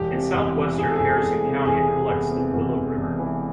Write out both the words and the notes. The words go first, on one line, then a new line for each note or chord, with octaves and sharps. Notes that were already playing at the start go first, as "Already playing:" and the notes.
In southwestern Harrison County, it collects the Willow River.
Already playing: E1 G4
C3
E2
E3
E1 G#4
A4
E1 G#4
E1
C3
E1 G#4
C3
E2
C3
E2
E1
E1
E3